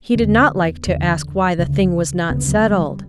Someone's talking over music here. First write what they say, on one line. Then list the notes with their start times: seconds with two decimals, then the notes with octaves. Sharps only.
He did not like to ask why the thing was not settled.
0.15 E2 D3 B3
0.86 E2 D3
1.59 D2 C#3
2.30 D2 C#3 B3
2.48 F#3
2.66 G3